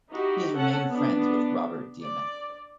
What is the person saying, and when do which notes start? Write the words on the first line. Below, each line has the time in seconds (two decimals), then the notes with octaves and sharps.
He has remained friends with Robert Diament.
0.11 D#4 E4 F#4 G4
0.55 C#4 A4 F#5 A5
0.90 B3 D4
2.03 D5